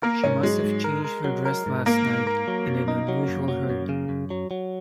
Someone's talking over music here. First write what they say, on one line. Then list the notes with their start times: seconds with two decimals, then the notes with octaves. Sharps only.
She must have changed her dress last night in an unusual hurry.
0.03 A#3 A#4
0.24 G#2 C#4
0.43 F#3 G#3
0.64 G#2
0.84 A#4
1.05 A#4
1.24 F#3
1.45 A#4
1.66 G#2
1.86 A#3 A#4
2.06 G#2
2.27 A#4
2.48 F#3
2.67 F#2
2.88 D#4
3.08 F#3
3.28 F#2
3.48 F#3
3.70 F#2
3.89 C#3
4.09 F#2
4.30 F#3
4.51 F#3